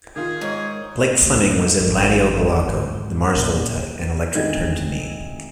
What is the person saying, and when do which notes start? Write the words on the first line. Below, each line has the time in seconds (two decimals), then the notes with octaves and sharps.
Blake Fleming was in Laddio Bolocko, The Mars Volta and Electric Turn to Me.
0.16 D#3 F4 G#4
0.41 G#2 C#5
1.22 D2
1.80 G#1
2.68 G#2
3.36 A#2
4.35 F1 D2 D#3 G#3 D#4 G#6